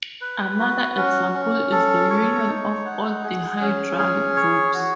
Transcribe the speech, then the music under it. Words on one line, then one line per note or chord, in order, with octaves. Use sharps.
Another example is the union of all dihedral groups.
B4
F#4
C#4
C#4
A4
C#5
D#4
F#5
G#4
C#4
G#4
C#5
F#4